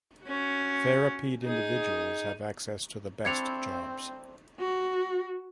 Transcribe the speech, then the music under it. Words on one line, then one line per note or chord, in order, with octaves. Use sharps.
Therapied individuals have access to the best jobs.
C#4 F#4
D#4 G#4
A3 C4 D4 E4 G#6 C#7 F7
F#4